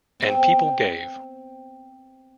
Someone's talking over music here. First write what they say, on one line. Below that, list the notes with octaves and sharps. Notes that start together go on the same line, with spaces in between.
And people gave.
B3 C4